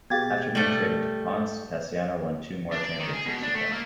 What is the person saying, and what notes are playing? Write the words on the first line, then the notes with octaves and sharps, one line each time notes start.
After being traded to Ponce, Casiano won two more championships with them.
B2 G4 G#4 F5 G#6 A6
G3 A3 F#7
D4
D5
D#3
G#4
B2
D4
A3
A#3